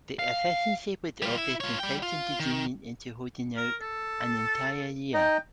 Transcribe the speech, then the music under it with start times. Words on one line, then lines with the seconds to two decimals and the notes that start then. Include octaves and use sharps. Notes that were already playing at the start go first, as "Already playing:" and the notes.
The efficiency was obvious and frightened the union into holding out an entire year.
0.19 F5
1.22 G3 F4
1.38 E4
1.60 F4 C#5
1.80 G3 G5
2.03 F4
2.40 D#3
3.57 A#4
3.81 A4
5.14 D#4 D#5 G5